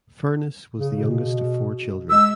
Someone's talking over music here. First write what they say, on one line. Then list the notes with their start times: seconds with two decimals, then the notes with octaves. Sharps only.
Furness was the youngest of four children.
0.79 C#3
0.97 B2
2.10 G#3 E6